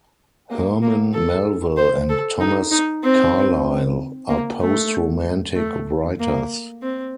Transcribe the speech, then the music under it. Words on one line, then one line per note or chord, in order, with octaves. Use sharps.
Herman Melville and Thomas Carlyle are post-Romantic writers.
A#3
A#3
A4
C5
A4
D#4
D#4
C4
A#3
A3
A3
A#3
C4